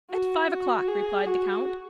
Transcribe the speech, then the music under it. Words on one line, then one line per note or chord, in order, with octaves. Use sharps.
"At five o'clock," replied the count.
F#4
G#4
F#4